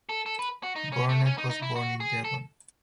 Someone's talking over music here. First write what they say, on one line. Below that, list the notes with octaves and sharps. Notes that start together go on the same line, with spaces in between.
Burnett was born in Devon.
A4
A4
B4
F#4
D#4
C#4
A3
C#4
D#4
D#4
E4
F#4
G#4
A4